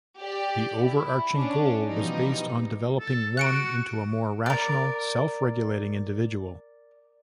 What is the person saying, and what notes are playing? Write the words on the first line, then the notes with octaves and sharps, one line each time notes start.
The overarching goal was based on developing one into a more rational, self-regulated individual.
G4 D5
E4
C#4 D4
B2 E3 F3 G3 D#4
A4
F#4 F#6 C#7 D7
A#4 D5